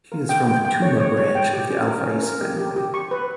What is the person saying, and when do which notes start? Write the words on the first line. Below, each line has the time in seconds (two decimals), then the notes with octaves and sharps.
He is from the Tumah branch of the Al Faiz family.
0.12 A#4
0.29 G5
0.47 G5
0.65 G5
0.82 C#5
1.00 C#5
1.17 C#5
1.35 G5
1.53 G4
1.70 C#4
1.88 A#4
2.05 C#4
2.23 A#4
2.41 G4
2.59 G4
2.76 G4
2.94 C#6
3.11 B4